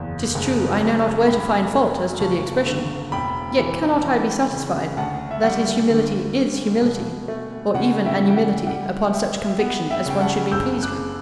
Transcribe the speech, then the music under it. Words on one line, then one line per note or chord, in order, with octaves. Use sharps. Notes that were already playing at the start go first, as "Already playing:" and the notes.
'Tis true, I know not where to find fault as to the expression; yet cannot I be satisfied, that his humility is humility; or even an humility upon such conviction as one should be pleased with.
Already playing: F#1 E2 G5
F#1
F#2
B1 G5 B5
A3
F#1 A5 C#6
D3
E1 G5 B5
E3
E3
C#3
D2 F#5 A5
E5
G3 F#5
D3
D3
B2
A3
C#3 F#5
E5 G5
E3
G5
F#5
G3 F#5
G3 E5 G5
E5
B3 F#5
E5 G5
C#3 G5
F#5 A5
F#1 E6 G6
D6 F#6